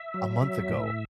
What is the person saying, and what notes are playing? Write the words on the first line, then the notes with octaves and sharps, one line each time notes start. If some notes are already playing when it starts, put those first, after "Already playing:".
a month ago,
Already playing: E5
F#3
F#3
A2